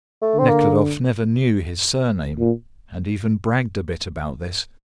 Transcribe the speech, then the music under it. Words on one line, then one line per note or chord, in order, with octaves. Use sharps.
Nekhludoff never knew his surname, and even bragged a bit about this.
A3
D3 C4
A#3
A#2